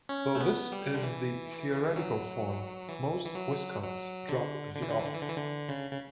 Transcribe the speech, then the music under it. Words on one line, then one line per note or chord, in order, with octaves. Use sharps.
Though this is the theoretical form, most Viscounts drop the "of".
C#4
A3
B3
G3
D3
E3
F#3
E3
E3
F#3
F#3
D3
D3
E3
D3
E3
D3
E3
D3
E3
D3
C#3
C#3